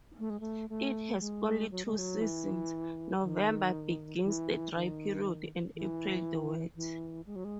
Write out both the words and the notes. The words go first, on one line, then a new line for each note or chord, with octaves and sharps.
It has only two seasons; November begins the dry period, and April the wet.
A3
G#3
A3
A3
G#3
F#3
G#3
F#3
E3
D#3
E3
D#3
E3
E3
G#3
F#3
G#3